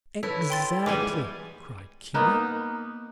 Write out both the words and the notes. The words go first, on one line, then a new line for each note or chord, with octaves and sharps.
"Exactly!" cried Kinney.
E4 A4 B4 C#5
G5 C6 A6
E3 G3 G#3 B3 G#5 D6
A#3 B3 D#4